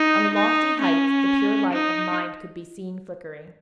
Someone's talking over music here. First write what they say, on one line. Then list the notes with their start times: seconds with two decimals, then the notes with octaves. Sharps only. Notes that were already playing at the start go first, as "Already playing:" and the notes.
On the lofty heights, the pure light of mind could be seen flickering.
Already playing: D#4
0.34 D#4
0.81 C#4
1.72 D#4